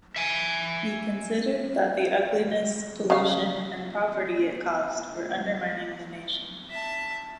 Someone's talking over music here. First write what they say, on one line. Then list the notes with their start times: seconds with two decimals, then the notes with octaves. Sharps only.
He considered that the ugliness, pollution and poverty it caused were undermining the nation.
0.16 E5 G#5
3.10 C#3 F5
6.70 E5 A5